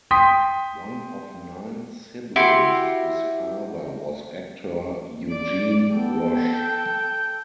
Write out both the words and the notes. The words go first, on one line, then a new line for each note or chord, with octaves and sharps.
One of nine siblings, his father was actor Eugene Roche.
G5 C6 D#6 B6
E4 F#4 G4 C6
D5 D7
B3 A4 G5
G6